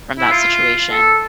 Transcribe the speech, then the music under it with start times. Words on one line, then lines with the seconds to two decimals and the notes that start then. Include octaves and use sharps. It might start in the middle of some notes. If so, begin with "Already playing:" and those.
from that situation.
0.19 E4
0.31 F4
0.91 A4